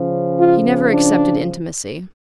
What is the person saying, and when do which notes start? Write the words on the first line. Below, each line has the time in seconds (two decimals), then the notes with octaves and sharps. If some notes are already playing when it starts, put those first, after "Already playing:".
He never accepted intimacy.
Already playing: C#3 F3 C#4
0.39 F4
0.93 D4